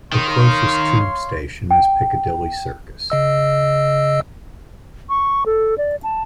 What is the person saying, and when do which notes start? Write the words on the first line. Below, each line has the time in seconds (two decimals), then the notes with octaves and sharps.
The closest tube station is Piccadilly Circus.
0.12 D#3 C#5 F5 C6
1.71 G5
3.10 C#3 D#5 E6
5.09 C#6
5.46 A4
5.78 D5
6.03 A5